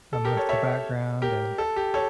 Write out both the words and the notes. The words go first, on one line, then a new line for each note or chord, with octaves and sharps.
amongst the background, and
A4
G4 A#4
A4 C#5
C#5 E5
G4 A#4
A4
G4
A4 C#5